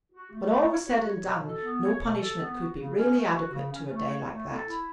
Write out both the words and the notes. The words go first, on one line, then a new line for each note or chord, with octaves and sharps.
When all was said and done no punishment could be really adequate to a day like that.
F#4
A3
A3
C#5
F#4
C#5
B2
A4
B3
C#5
B2
A4
B3
F#4
C#3
C#4
A3
F#4
C#3
C#4
A3
C#5
A3
A4
E4